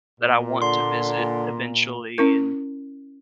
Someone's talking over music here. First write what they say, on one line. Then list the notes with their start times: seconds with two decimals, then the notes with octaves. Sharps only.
that I want to visit eventually and,
0.20 A#2
0.62 D3 C6
2.18 C#4 E4 A#4